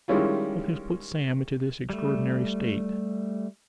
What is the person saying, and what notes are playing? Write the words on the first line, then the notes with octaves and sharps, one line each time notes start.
'What has put Sam into this extraordinary state?'
D#3 G3 G#3 C#4 E4 F4
G3 A3